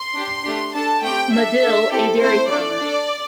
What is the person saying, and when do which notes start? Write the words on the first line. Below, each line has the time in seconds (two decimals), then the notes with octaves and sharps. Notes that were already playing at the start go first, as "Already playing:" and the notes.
Madill, a dairy farmer.
Already playing: C6
0.15 D4 G4
0.45 A3 D4 G4
0.74 D4 A4 A5
1.03 A3 C4 G4 G5
1.32 D4 A4 E5
1.61 D4 A4
1.91 C4 E4 G4 A4
2.21 A3 C4 E4 C5
2.50 A3 D4 A4 D5
2.80 D4 A4